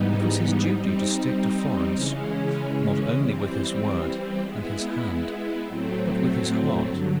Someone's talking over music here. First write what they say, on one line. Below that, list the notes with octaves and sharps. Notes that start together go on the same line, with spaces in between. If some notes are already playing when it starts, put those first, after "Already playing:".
It was his duty to stick to Florence, not only with his word and his hand, but with his heart.
Already playing: G#2 E3 G3 B3 D#4
G3 C4 D#4
C#3 E3 G#3 C#4
E3 G3 C4
G#3 B3 E4
A2 F#3 A3 C4
G2 D3 F#3